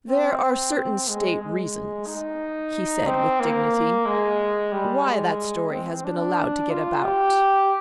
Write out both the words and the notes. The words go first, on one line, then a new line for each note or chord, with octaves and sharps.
"There are certain state reasons," he said with dignity, "why that story has been allowed to get about."
C4
C4
G#3
G#3
D#4
C4
A#3
G#3
G3
G#3
C4
D4
F4
G4